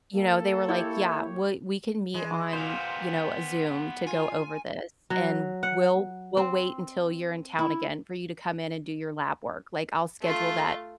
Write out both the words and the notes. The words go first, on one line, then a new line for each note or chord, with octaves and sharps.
you know, they were like, "Yeah. We we can meet on, you know, Zoom to go over this, and we'll we'll wait until you're in town again for you to come in and do your lab work, like, I'll schedule that
A#3 A4
E4 G4 C#5
E3 G#3
A#2 B3 G4 C5 F5
F4 G#5
F#3
F#5
C4
E4
A3 F4